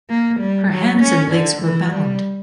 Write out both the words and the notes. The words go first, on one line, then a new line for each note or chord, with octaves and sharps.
Her hands and legs were bound.
A#3
G3
F#3
C#4
D3
E3
G3